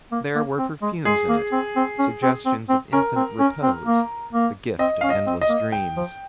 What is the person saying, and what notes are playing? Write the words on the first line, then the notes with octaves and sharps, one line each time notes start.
There were perfumes in it, suggestions of infinite repose, the gift of endless dreams.
A#3
A#3
C4
G#3
G#3 G#4
A#3
C4
C4
C#4
C4
C4
C4
C#4 A#4
C4
C#4
C4
A#3
A#3
C4 D#5
C#4 F5
D#5
C4
D#5
A#3
G5
F3